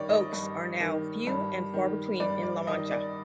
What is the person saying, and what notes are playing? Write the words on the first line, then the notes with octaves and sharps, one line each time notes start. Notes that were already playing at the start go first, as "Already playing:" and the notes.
Oaks are now few and far between in La Mancha.
Already playing: G2 D#3 C#5 D5
D#5
G2
D#3
G2
D#3
G2 D5
D5
D#3 D#5
D5